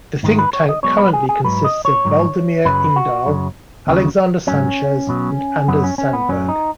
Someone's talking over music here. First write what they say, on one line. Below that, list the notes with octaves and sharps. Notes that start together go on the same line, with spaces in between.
The think tank currently consists of: Waldemar Ingdahl, Alexander Sanchez, and Anders Sandberg.
G#2 D#3 G#3
B4
C#5
D#5
B1 B2 G#3 C#5
B4
G#4
G#4
G#2 F#3 B4
D#5
C#5
G#2 D#3 F#3
F#2 C#3 F#3 B4
F#4
F#2 C#3 F#3
D#2 C#3 F#3
G#2 F#3 C#4
B1 B2 F#3
F#2 F#3 B3
C#4
C#4
B3
F#2 F#3 C#4
D#4